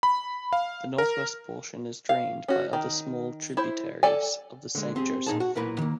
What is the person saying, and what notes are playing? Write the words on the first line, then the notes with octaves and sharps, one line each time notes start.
The northwest portion is drained by other small tributaries of the Saint Joseph.
B5
F5
A#4
F5
C#4 F#4
D#3
E4 C5
A4 D5 G#5
D3 G#3
C4 G4 G#4
A#2 D#4 G#4 A5
F#4
B1 A#2 E4 A#4 B4 B5
D#3 A#3